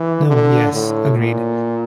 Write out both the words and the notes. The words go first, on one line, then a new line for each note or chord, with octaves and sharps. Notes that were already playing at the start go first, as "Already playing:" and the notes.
No. Yes. Agreed.
Already playing: E3
D3
A2
A#2